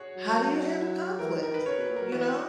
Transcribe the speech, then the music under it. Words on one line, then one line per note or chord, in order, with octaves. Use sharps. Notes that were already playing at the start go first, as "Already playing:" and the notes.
How do you handle conflict, you know?
Already playing: F#4 G#4 C#5
F#3
E3 A#4
D#3
A#4
D#3 B4
C#3 C#5
B2 B4
A#2
F#3 A#4
E3 F#4